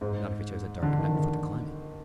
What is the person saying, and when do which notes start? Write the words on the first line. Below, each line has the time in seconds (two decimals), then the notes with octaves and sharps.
"Not if he chose a dark night for the climbing."
0.01 G#2
0.82 D3
0.99 D#3
1.09 D3
1.15 D#3